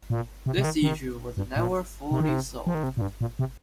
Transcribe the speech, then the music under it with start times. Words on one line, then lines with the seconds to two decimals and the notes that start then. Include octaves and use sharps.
This issue was never fully solved.
0.10 A#2
0.46 C3
0.58 C3
0.64 D#3
0.82 D#3
1.37 G2
1.56 A#2
2.11 C3
2.20 D#3
2.29 C3
2.67 F3
2.75 D#3
2.83 C3
2.97 A#2
3.01 G2
3.21 A#2
3.39 C3